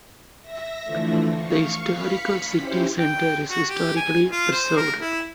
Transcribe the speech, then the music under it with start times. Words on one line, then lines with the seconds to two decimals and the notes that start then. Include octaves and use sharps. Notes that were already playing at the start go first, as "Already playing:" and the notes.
The historical city center is historically preserved.
0.41 E5 A#6
0.84 D3 E3 F3 A3
1.35 F5 C#6
1.89 F5 B5 B6 C#7
2.56 C#4 E4 G4 C5
2.99 G5
3.50 F#4
3.69 G4
3.97 G#5
4.31 F4
4.51 C5
4.77 A#4
5.01 E4